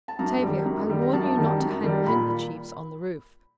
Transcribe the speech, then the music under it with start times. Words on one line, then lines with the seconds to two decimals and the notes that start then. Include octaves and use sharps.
Tavia, I warn you not to hang handkerchiefs on the roof.
0.08 A5
0.19 F#2 A#5
0.42 D#3 G3
0.65 F#2
0.89 D#3 G3
1.02 A#5
1.13 F#2 A5
1.37 D#3 G3
1.60 F#2
1.83 D#3 G3
2.06 A#2 B5